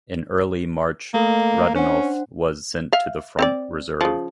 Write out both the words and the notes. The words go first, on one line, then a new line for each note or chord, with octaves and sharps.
In early March Rodionov was sent to the front reserve.
A3 A#3 A4
C#4 D4 C5 F#5
E5 F5
C4 C#5 D5
C#3 F3